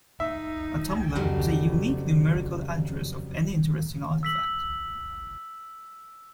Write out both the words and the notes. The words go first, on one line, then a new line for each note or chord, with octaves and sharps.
A tumbler is a unique numerical address of any interesting artifact.
D#4 E5
F2 C#3 F#3 G3 A5
E6 B6 F#7